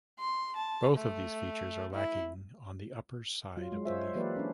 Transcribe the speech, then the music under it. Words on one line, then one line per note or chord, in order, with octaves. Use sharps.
Both of these features are lacking on the upper side of the leaf.
C6
A5
A3
E4
F#3 F4
G#3
F4 C5 C#5 E5
E3 F#3 A#3 G4 B4 D5
C#4 D4